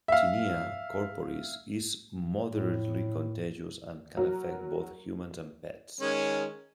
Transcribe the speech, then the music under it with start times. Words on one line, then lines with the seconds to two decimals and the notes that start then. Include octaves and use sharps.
Tinea corporis is moderately contagious and can affect both humans and pets.
0.08 E5 F5
2.48 A2
4.17 F#3 F#4 A#4
6.00 D#3 G#3 C#4